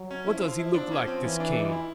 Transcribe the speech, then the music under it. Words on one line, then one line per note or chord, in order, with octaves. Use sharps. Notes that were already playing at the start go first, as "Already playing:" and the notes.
"What does he look like, this Kane?"
Already playing: F#3
C#4
F3 E4
F4
E4
D4
C#4
C4
E3 C#4
D4
D#4
F4
E4